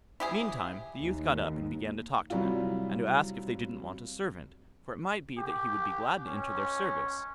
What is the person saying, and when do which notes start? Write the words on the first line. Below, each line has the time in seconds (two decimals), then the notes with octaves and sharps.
Meantime the youth got up and began to talk to them, and to ask if they didn't want a servant, for it might be that he would be glad to enter their service.
0.20 E4 G4 G#4
0.99 D#2
2.30 C3 F#3 G3 E4 F4
5.38 G4
6.27 C#4